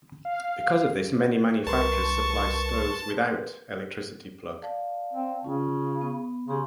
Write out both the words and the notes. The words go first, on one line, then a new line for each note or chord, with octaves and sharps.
Because of this many manufacturers supply stoves without electricity plug.
F5
C2 A#4 B4 A5 C6 C#6
D5 F5 A5
C4
C#3 C#4 F4
B3
C#3 G4 G#5 C6